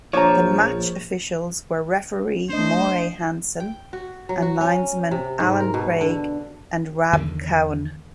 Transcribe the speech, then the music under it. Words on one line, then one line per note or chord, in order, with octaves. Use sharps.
The match officials were referee Moray Hanson and linesmen Alan Craig and Rab Cowan.
A#1 F3 D4 C#5 A#5
A3 D4 C5 D#5
G5
F#4
F#3
F#4
C#4
C3
G#2
A#4
B2
D3
E2 D3 D#3